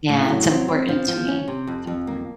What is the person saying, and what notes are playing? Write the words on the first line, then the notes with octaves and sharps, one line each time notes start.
Yeah, it's important to me, it's important.
A2
F#3
C4
C4
F3
F3
C#4
C3
F2
F2
A#3